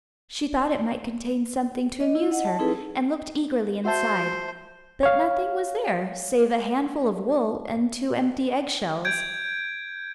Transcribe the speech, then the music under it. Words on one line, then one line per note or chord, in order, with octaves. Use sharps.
She thought it might contain something to amuse her, and looked eagerly inside, but nothing was there save a handful of wool and two empty eggshells.
D#5
E4
D#5 F#5
A5
C4 D#4 E4 G#4 A4 B4
F#4 C5 E5 A5
C#5 F5
G6 G#6 D7